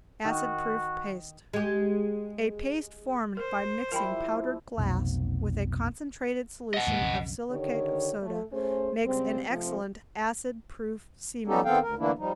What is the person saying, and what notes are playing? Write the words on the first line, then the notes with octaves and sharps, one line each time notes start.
Acid-Proof Paste.--A paste formed by mixing powdered glass with a concentrated solution of silicate of soda makes an excellent acid-proof cement.
D#3 F#4
G#3 G4
A#4 C5
F3 G3 E4 A#4 G5 B5
F1 B1
D#5 F#5
D#2 G#2 A#3
B1 F2 C#3
D3 D#3 G4 C#5
A3
A3 C#4 G#4 C5
C#3 G3 G#3 C4
C3 F3 A3 C4
G3 B3 C#4 D#4 G4 A4
D#3 B3 C4 A4 F5 G5
D2 A#4
D3 E3 A3 A#3 D4 E4
F3 G3 D#4